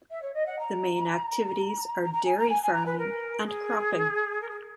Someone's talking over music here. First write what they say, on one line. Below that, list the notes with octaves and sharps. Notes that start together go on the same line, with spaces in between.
The main activities are dairy farming and cropping.
E5
C#5
D#5
F#5
A#5
A#5
A#5
G#5
A#5
G#5
G#5
A#5
B4
A#4
G#4
A#4
G#4